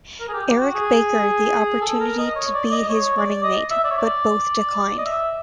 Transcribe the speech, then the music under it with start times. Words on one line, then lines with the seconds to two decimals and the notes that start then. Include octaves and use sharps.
Eric Baker the opportunity to be his running mate, but both declined.
0.20 A#4
0.29 G#4
0.33 G4
0.46 G4
0.60 F#4
0.74 G#4
1.82 A4
2.00 A#4
2.18 D#5
2.36 C#5
2.54 D5
2.71 D#5
2.89 C#5
3.17 D5
3.43 D#5
3.71 E5
3.84 D5
3.91 C#5
3.97 D5
4.98 D#5
5.05 E5